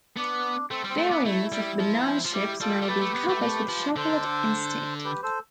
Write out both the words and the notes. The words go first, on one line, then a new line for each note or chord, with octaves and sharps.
Variants of banana chips may be covered with chocolate instead.
B3 D4
A3 C4
G3
C4
A3
B3 D4
A3 E4
G3
F3
F3
G3 E4 G4
G3 F4 A4
G3
A3 G4 B4
A3
B3
A3
A3
F3
D3 A4 C5
G4 B4
A4 C5